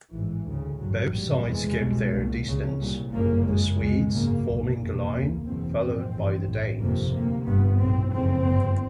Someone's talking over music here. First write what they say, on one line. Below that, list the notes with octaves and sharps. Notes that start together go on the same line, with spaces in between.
Both sides kept their distance, the Swedes forming a line, followed by the Danes.
A1 G#2 E3
D2 C#3
A1 G2 F#3
A#1 G#2 G3
F1 E2 C3 G#3
C2 B2
C2 A#2
C#2 C#3
C2 A#2
G1 F#2 C#3 A#3
G#1 F#2 C#3 G#3
C#2 B2 G#3
G#1 F#2 C#3 A#3
B1 A2
F1 E2 B2 A#3
D2 C#3
F#1 E2 B2 C4
A#1 G#2 C4
A1 G2
B1 A2
G1 F2 C3 A#3
D2 C3 A#3
G1 G2 B3
B1 A2 C4
F#1 F2 C#3 C4
G1 G2